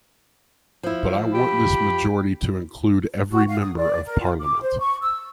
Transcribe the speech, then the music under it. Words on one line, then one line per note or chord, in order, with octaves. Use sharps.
But I want this majority to include every member of parliament.
F3 E4
G4 B5
F#4
F5
D#6
D5
A#4
F4
D6
C5
C#6
E6